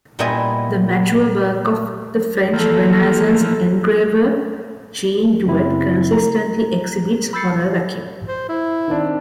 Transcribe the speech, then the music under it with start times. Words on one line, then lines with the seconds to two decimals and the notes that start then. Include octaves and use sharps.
The mature work of the French Renaissance engraver Jean Duvet consistently exhibits horror vacui.
0.19 A#2 G3 B3 E4 D#5 G#5
2.53 E3 F3 A#3 A4
5.46 F#2 C#3 B3 C4 E4
6.12 A#5
7.33 B5 E6 G6 A6 C7 C#7
8.28 C5
8.49 E4
8.88 D#3 C4 D4